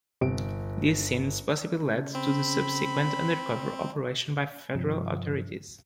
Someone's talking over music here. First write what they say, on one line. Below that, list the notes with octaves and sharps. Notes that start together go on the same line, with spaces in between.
These scenes possibly led to the subsequent undercover operation by federal authorities.
G1 C3 D7
C#3
C4 B5
G2 C3 F3